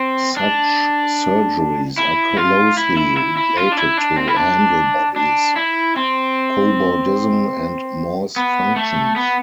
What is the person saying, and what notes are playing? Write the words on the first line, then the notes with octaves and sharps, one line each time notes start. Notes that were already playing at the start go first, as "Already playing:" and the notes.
Such surgeries are closely related to handlebodies, cobordism and Morse functions.
Already playing: C4
D4
E4
F4
E4
E4
E4
E4
F4
D4
E4
D4
C4
E4
D4
D4
E4
C4
B3
A3
B3